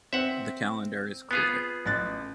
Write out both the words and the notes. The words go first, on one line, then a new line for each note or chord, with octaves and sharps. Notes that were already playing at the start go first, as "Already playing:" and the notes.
The calendar is clear.
C4 E5 F#5
B3 F4 G#4
A1 F#6 A6